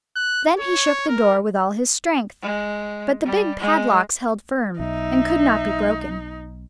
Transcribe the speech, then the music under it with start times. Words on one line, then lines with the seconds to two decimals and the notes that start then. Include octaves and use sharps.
Then he shook the door with all his strength; but the big padlocks held firm, and could not be broken.
0.16 F#6
0.58 C#5
1.08 A#4
2.42 G#3
3.25 G3
3.60 G#3
4.80 B1 D#4 E5